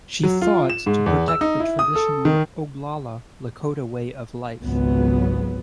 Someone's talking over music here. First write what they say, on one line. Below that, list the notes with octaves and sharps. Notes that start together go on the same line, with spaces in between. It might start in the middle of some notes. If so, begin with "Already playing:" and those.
She fought to protect the traditional Oglala Lakota way of life.
F#3
F4
E7
G#2
E2
E6
D#4
E4
D#6
A4
D#3
G#1 C#2 F#3 B3